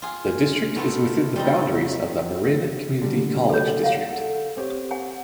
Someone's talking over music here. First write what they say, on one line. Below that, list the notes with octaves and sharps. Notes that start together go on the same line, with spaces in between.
The District is within the boundaries of the Marin Community College District.
F4 G#4
A3 B3 E4 F4
G3 C4 D#4
D3 F#3 G3
A4 C#5
F5 F#5
A4
C4 G4 C#5
F#5 G#5